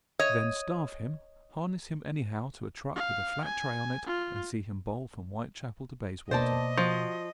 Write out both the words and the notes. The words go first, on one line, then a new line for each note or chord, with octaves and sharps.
Then, starve him, harness him anyhow to a truck with a flat tray on it, and see him bowl from Whitechapel to Bayswater.
C#5 D#5
F5
G#5
F4
B2 A#3 C5 D5 D#5 A5
F3 F#4